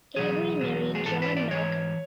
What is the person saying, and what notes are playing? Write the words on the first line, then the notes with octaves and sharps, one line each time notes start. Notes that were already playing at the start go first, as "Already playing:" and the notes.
Avery married John Malcolm.
E2 B2 F#3 G#4
E2 B2 F#3
G#4
G#2 E3 A4
B4
D5
G#2 E3 C#5